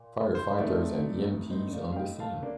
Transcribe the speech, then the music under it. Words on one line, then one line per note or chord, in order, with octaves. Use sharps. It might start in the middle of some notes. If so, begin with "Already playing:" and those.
Firefighters and EMT s on the scene.
Already playing: A#2
C5
A2 A3 C4 D#4 D5
C5 D#5
D5 F5
F5
D#5 G5
F5 A5
A#3 D4